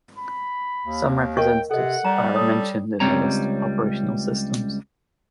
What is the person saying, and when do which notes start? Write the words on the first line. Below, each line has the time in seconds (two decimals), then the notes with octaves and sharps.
Some representatives are mentioned in the list of Operational systems.
0.18 B5
0.85 D#2
1.37 A#4 D#5 G5 C#6
1.71 C3 A4 D#5 F#5
2.05 G3 A#5
2.35 A4 C#5 D#6
3.00 C#2 G3 C4 C#5 A#5